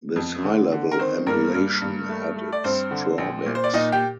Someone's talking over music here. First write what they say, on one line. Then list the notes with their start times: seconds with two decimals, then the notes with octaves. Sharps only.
This high-level emulation had its drawbacks.
0.16 F2
0.44 D3
0.72 D3
0.91 A#4
0.99 D#3 C4 C5
1.26 G2 A#3 A#4
1.55 G2
1.82 G2
2.09 A3
2.36 A3
2.52 D5
2.64 G2 C4 C5
2.91 D3
3.18 A#1
3.46 A#2
3.55 C5
3.64 D5
3.74 A#2 D#4 D#5
3.92 G4 G5